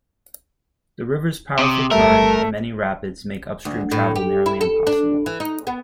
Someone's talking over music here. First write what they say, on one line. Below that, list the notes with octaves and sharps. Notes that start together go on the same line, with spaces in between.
The river's powerful current and many rapids make upstream travel nearly impossible.
C3 C6 D6 D#6
G1 G3 A3 A#4 E5
D2
A2
G4
E4
A4
D4
E3
D#4
B3